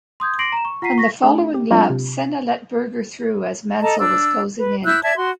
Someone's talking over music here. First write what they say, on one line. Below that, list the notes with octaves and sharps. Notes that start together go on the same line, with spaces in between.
On the following lap Senna let Berger through as Mansell was closing in.
C6 D#6 G6 G#6
C6 D6 A#6 C7 D7 F#7
A#5 E7
C#6
F4 F#5 A#5 B6 C7 D#7
C#6 A#6 B6
A3 D4 G#4
G4
F#3 G#3 C4 D4 F4
C3
A4 D#5 A5 A#5
D4 E6
B4
E4 E6 F#6 G6
D5 E5 A5 G#6
F#4 C6